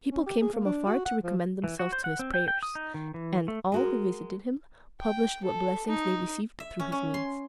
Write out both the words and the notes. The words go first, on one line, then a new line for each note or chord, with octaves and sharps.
People came from afar to recommend themselves to his prayers; and all who visited him, published what blessings they received through his means.
C#4
G4
G#4
A#3
D4
F#4
F#5
F3
E3
F#4
C5
F#5
C4
G5
G5
D#6
D#4
D#3
E3
A3
G#3 F#4 A#4
G5
A4
D#4
E5
C#4
C#4
C6